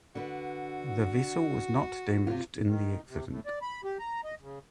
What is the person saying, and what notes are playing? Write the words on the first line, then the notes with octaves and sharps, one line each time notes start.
The vessel was not damaged in the accident.
D3 F#4 B4
C3 F4
D#3
C3
A2
D5
B5
G4
A#5
D#5
C#3